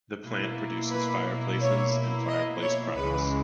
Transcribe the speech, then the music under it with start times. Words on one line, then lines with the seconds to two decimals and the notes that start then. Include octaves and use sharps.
The plant produces fireplaces and fireplace products.
0.22 B2 A#3 E4
0.90 B4
1.59 C#5
2.27 D#5
2.62 C#5
2.95 C#2 C#3 E3 G#3 B4